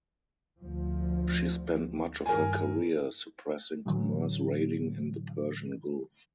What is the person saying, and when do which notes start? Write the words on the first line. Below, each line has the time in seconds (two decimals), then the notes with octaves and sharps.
She spent much of her career suppressing commerce raiding in the Persian Gulf.
0.60 D2 F3
2.26 G2 D#3 A#4 G#5
3.85 A2 D3 E3 F#3